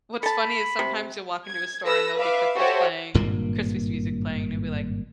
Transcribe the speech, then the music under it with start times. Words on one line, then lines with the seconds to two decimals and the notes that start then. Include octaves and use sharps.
what's funny is sometimes you'll walk into a store and there'll be Christmas playing Christmas music playing, and you'll be like,
0.23 A4 A5 B5
0.79 C3
1.48 G#6
1.85 A4 B4 E6 A#6
2.17 B4 E5 F5 D6
2.57 F#4 G4 A4 C5 C#5 E5
3.14 G#1 G2 A#2 A#3